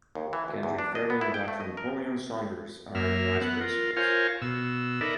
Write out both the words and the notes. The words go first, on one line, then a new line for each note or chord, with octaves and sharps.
Kedre Fairley and Doctor Napoleon Saunders are the vice principals.
D#2
E3
D2
E2
D4
D#5
B3
E4
G5
A3
D#5
A#4
F#2 A#3 E5 F6
B3 F#5
F4 A#4
F4 A#4 C5 C#5 F5 G#5
B2 E6
D#4 A4 A#4 D5 E5 B5